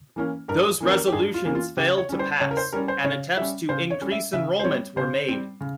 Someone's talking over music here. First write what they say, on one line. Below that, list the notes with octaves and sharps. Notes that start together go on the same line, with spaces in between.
Those resolutions failed to pass, and attempts to increase enrollment were made.
E3 A#3 C#4
G2 A#4
E3 A#3 C#4
A#4
G4
G2 G#4
F4
E3 A#3 C#4
F4
C#3 G4
C#5
G3 C#4
C5
C#3 C#5
A#4
C5
G3 C#4 A#4
C5
C#3 C#5
G3 C#4 E5
C#3 C5
C#5
G3 C#4
E5
C#3 E5
C5
G3 C4 C#5
C#3 C5
G3 C4
C#3